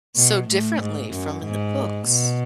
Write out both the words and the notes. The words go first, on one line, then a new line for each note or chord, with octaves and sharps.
so differently from in the books.
B2
A2
G#2
F#2
G#2
B2